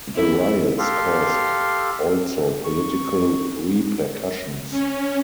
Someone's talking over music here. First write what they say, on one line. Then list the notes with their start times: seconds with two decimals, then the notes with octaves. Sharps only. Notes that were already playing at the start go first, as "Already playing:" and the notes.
The riots caused also political repercussions.
0.15 E4
0.79 G4 A4 F5 C6
2.64 C#6
4.71 C#4